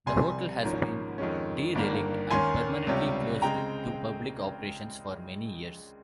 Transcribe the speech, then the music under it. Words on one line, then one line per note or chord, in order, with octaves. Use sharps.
The Hotel has been derelict and permanently closed to public operations for many years.
C2 C3 G3 G#5 C6
G#1 G#2 F3 A#3 C#4
F2 D#3 G#3 C#4
G1 G2 D#3 A#3
D#2 D#3 A#3 C#4 G#5 C6
C#2 C3 G3 C#4
C#3 G#3 C4 G5 A#5